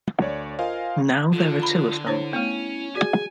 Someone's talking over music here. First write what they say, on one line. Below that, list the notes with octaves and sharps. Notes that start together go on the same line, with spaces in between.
Now there are two of them.
D2 C#5 D5
F4 A#4 C5 D#5 F5 G#5
D3 F4
A#5 B5
D4 E4 C5 C#5
A3 B3 C#4
F#4 G#4 D5 G#5